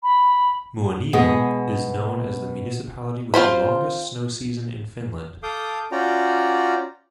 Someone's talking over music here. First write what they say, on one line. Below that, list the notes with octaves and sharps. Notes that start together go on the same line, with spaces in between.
Muonio is known as the municipality with the longest snow season in Finland.
B5
B2 G#3 B3 G#4
C4 F4 C5 B5
A4 F5 D6 D#6 G6
C#4 F4 F#4 D5 G5 A#5